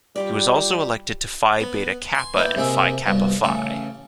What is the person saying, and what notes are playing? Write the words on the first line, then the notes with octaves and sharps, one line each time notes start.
He was also elected to Phi Beta Kappa and Phi Kappa Phi.
G3 F4 G4 D5
B3
G#5 C6
A#3 B3 E4 G5
G#2 C3 A#3 G#4 E5
C2 G2 B2
A1 C#3 A4